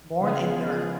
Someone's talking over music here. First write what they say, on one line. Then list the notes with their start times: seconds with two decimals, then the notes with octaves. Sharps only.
Born in Nr.
0.19 C#3 F3 B3 F4 G#4